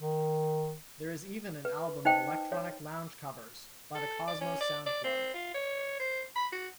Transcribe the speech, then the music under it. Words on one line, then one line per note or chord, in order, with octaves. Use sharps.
There is even an album of electronic lounge covers, by the Cosmos Sound Club.
D#3
B4
D#4 C5 D#5 G5 A5
C#5
A4
D5
C#4
D5
D5
C4
F4
C#5
C5
B5
F#4